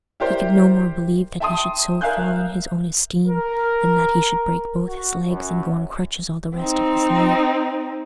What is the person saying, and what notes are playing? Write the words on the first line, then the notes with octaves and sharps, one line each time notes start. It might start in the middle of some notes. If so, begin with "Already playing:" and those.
He could no more believe that he should so fall in his own esteem than that he should break both his legs and go on crutches all the rest of his life.
E4 G4 A#4 C5 D5
E5 G5 A5 C6 D#6
A#4 E5 F5 G#5 F#6 G6
A#4
F#4
F#2
C4 D#4